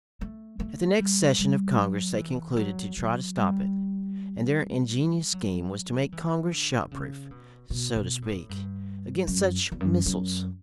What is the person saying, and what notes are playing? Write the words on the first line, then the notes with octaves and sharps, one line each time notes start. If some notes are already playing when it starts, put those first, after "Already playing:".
At the next session of Congress they concluded to try to stop it, and their ingenious scheme was to make Congress shot-proof, so to speak, against such missiles.
A3
A3
G3
G3
F#3
E3
F#3
F#3
G3
F#3
E3
D3
C#3
B2
B2
B2
A2
G2
F#2
E2
F#2
F#2